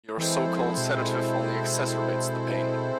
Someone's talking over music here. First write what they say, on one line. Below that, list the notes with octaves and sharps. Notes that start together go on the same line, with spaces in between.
Your so-called sedative only exacerbates the pain.
E3 G#3 C4 E4 A4 C5
F3
B2
A#2
B2